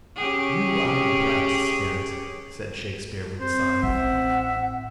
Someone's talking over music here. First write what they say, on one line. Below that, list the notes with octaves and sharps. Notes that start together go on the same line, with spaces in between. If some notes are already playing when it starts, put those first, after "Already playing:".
"You are a bright spirit," said Shakespeare, with a sigh.
C#4 G4 G#4
C4 C5
A1 E5 F#5